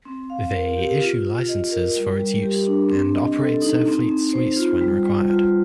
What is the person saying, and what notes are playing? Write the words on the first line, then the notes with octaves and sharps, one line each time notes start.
They issue licences for its use, and operate Surfleet sluice when required.
C4
F5
A#4
G4
F4
F4
D#5
A#4
G3
G3
G4
D4
C4
D#5
A4
D#4
C4
C4
C5
F4
G3
G3
F4